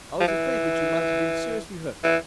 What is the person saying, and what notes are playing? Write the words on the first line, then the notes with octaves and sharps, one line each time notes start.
I was afraid that you might have been seriously hurt.
F3
E3
E3